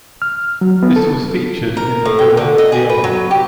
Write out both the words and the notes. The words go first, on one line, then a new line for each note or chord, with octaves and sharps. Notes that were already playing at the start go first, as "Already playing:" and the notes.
This was featured in the film "The Omen".
F6
F#3
B3
A4
A#4
A2
G5
D3
D#5
G#4
B4
F#3
G4